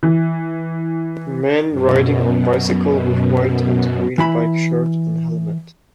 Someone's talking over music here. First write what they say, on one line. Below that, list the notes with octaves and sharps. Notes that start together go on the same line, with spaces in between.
Man riding on bicycle with white and green bike shirt and helmet.
E3
F#2 B2
E3 E4 B5